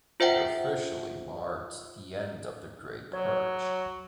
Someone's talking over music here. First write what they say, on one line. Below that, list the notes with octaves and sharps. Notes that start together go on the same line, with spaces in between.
It officially marked the end of the Great Purge.
F4 C5 E5 F#5 G5
F#3 C#5